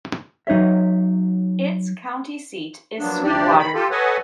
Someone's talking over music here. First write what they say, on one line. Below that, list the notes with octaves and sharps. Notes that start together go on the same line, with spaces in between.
Its county seat is Sweetwater.
F#3 D#4 C#5 E5
F3 F#3 A#3 B3 D4
D2 C3 F3 D4 G4 D5
B5
F4 G4 A4
A4 B4 C#5 D#5 F#5 G#5